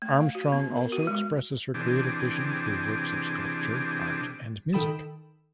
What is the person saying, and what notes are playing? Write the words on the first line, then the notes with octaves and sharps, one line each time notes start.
Armstrong also expresses her creative vision through works of sculpture, art, and music.
A3
F5
F#4
B3
A#4
F#4
G#3
C3 E3 D4 G4 G#4
D#3 A4 G5 B5 D#6 E7